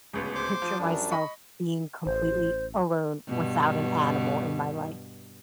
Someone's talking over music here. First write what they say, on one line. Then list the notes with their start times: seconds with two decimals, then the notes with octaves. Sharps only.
picture myself being completely alone without an animal in my life.
0.13 D1 C#2 B3
0.35 C5 C6 D6
0.62 F3
0.79 F#2 G3 D4
1.11 D#5 B5 C#6
2.06 A1 C5
3.28 G2 B2